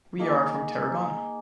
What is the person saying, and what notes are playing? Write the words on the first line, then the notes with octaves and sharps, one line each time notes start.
We are from Tarragona.
A#3 D#4 G#4